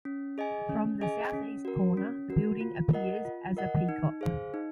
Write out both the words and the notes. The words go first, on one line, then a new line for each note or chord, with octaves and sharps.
From the southeast corner, the building appears as a peacock.
C#4
G#4 D#5 G#5
C#4
G#4 D#5 G#5
C#4
F#4 A#4
C#4
F#4 A#4
F4
A#4 D#5 F#5
F4
A#4 D#5 F#5
D#4
G#4 C5 F5
D#4